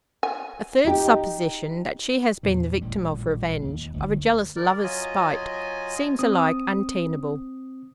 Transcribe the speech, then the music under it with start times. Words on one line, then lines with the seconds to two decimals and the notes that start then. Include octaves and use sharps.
A third supposition, that she has been the victim of revenge--of a jealous lover's spite--seems alike untenable.
0.23 G#5
0.85 D#4 G4
2.43 E2 A#2 E3
2.82 A1 A#2 G3
3.65 D#2
3.94 G1 D2 D#3
4.56 A#4 D5
4.83 F#3 F4 D#5 G#5
6.19 C4 D#6